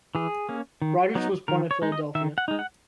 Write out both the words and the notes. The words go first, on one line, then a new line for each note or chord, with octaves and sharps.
Rogers was born at Philadelphia.
E3 G#4
A#3 C#4
D#3
F#3 B3 D#4
D#3 A#4
C#5
G#3 D#4
D#5
D#3 E5
F#5
G#3 D#4
F#5